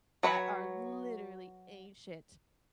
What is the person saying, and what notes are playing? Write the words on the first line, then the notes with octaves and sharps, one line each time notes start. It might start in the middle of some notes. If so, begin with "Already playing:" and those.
that are literally ancient.
F#3 B4 C#5 B5